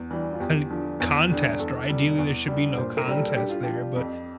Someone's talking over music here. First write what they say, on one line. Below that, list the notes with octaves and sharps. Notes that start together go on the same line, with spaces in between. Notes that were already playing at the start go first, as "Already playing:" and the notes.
con contest, or ideally there should be no contest there, but,
Already playing: E2
E3 G3
F4
E2 G4
D3 F3
E2
D3 G3
E2 A4
C3 G3
E2
D3 G3
A#2 C5
A#4
G3 G4
A4
G2 G4
F4
F3 G4
F2